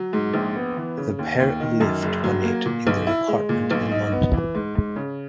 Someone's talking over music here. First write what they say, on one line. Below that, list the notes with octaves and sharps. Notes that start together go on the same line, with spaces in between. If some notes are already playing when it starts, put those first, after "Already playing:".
The pair lived on it in their apartment in London.
Already playing: F#3
G#2
A#1
B3
E3
C#3
D#2
D#2
D#3
F#2
F#1
F#3
A#3
A#2
B1
E4
G#3
A#2
B1
D#4
B3
E3
G#2
G#2
C#3